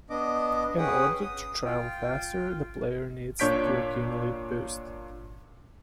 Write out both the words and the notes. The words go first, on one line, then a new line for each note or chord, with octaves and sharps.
In order to travel faster, the player needs to accumulate Boost.
B3 D4 D#5 D6
C#4 G#4 B4 F#5 G5 D#6
D#6
F4 G5
A#2 D4 C#5 G6 B6 D7